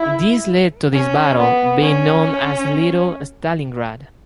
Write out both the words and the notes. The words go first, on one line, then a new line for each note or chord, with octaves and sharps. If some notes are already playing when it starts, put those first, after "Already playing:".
This led to this battle being known as Little Stalingrad.
Already playing: E4
C#4
B3
C#4